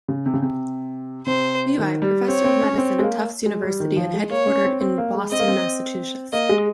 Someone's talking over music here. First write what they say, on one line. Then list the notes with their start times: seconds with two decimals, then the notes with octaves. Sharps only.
Levy, Professor of Medicine at Tufts University and headquartered in Boston, Massachusetts.
0.08 C#3
0.26 C3
0.34 C#3
0.42 C3
1.27 C3 C5
1.78 D#3
2.02 G3
2.28 C4 C#5
2.44 C4
2.62 C#4
2.78 C4
2.99 G#3
3.03 A#3
3.46 G#3
3.63 G3
3.80 D#3
3.96 F3
4.14 G#3
4.30 A#3 C#5
4.47 C#4
4.64 C4
4.81 C4
4.98 A#3
5.15 G#3
5.31 C4 D#5
5.39 A#3
5.48 C4
6.33 A#3 D#5
6.49 G#3